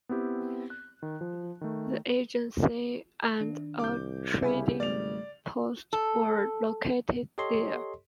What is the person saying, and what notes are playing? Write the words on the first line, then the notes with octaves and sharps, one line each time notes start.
The agency and a trading post were located there.
B3 C4 E4 G4
F#6
D#3
F3
D#3 A3
D#3 D4
C2 D6 G6
C#3 G4 E5 G#5 B5
G#1 G3 A3 D5 F7
A4
G4 A4 C#5 D#5 C6